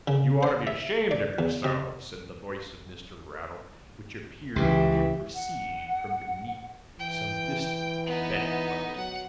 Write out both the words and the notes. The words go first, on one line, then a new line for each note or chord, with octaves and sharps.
'You ought to be ashamed of yourselves,' said the voice of Mr. Raddle, which appeared to proceed from beneath some distant bed-clothes.
C#3
C5
E5
D5
E2
C3
C#2 C#3 E3 G4
F#5
E3 G5
B3 D#4
F#3 F#5